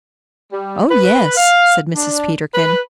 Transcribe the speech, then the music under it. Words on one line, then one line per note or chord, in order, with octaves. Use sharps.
"Oh, yes," said Mrs. Peterkin.
G3
B4
F5
D4
B4